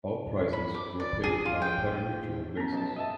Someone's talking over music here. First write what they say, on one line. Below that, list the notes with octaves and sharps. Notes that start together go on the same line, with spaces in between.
All prizes were paid on a parimutuel basis.
B5
D6
D5
G#4
F4
G5
B3 C#4
B1 A5
D#5 E5 A5